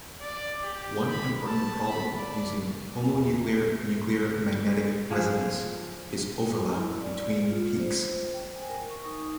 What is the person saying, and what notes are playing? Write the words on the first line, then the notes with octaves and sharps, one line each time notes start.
One important problem using homonuclear nuclear magnetic resonance is overlap between peaks.
D5
G4
B5
A5
B5
D5
E2
F3 G#4
E4
D5
F4
C5
G5
G#5
A#4
C#6
D#4